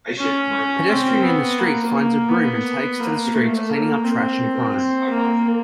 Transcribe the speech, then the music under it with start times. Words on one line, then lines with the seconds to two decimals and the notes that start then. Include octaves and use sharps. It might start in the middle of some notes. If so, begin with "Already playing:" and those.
Pedestrian in the street finds a broom and takes to the streets cleaning up trash and crime.
0.19 C#4
0.90 C4
1.24 B3
1.59 A#3
1.94 A#3
2.29 B3
3.00 A#3
3.34 A3
3.69 A#3
4.05 C4
4.76 C4
5.10 A#3